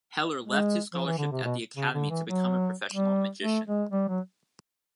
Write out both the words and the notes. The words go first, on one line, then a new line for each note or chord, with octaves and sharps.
Heller left his scholarship at the academy to become a professional magician.
G#3
F3
E3
D3
C3
B2
C#3
D3
E3
F#3
G3
A3
G#3
G3
F#3